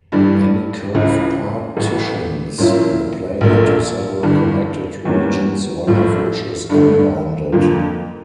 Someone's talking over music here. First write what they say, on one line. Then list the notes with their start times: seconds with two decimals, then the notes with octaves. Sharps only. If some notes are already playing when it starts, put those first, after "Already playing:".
Any curve partitions the plane into several connected regions, one of which is unbounded.
0.12 G2 E3 G3
0.94 C#2 C#3 E3
1.77 A1 A2 E3
2.58 A#2 F3 C#4 E4
3.41 A#1 A#2 A3
4.23 G1 G2 E3
5.05 E2 E3 G3 A#3 C#4
5.87 A#1 A2 F3
6.69 G2 D3 A3
7.52 F2 D3 F3 A#3